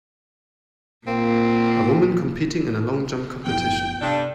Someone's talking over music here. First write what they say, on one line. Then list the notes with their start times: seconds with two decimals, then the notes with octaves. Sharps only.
A woman competing in a long jump competition.
1.07 A#2 A#3 C4
3.47 F#1 F3 B3 E4 G5
4.01 G2 C3 D4 A4